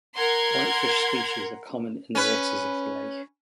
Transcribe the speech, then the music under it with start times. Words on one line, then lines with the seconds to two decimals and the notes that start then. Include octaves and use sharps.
Whitefish species are common in the waters of the lake.
0.17 A#4 F#5 C6 G#6
2.15 C#4 B4